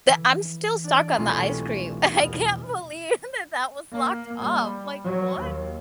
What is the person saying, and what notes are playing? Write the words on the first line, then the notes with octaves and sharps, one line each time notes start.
The I'm still stuck on the ice cream. I can't believe that that was locked up, like, what?
E3
D4 D5
E1 C2 A3 C4 F4 G#5
E2 B2 F6
A#3
G3
F#3
D#2